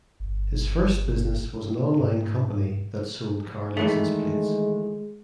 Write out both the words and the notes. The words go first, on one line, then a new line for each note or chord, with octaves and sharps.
His first business was an online company that sold car license plates.
G1
G#2
D#3 E3 G#3 A3